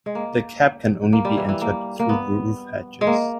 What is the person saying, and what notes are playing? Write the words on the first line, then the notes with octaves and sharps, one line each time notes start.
The cab can only be entered through roof hatches.
G#3
A#3
A#3
G3
E3
E3
A#3
A#3
B3
G#3
A#3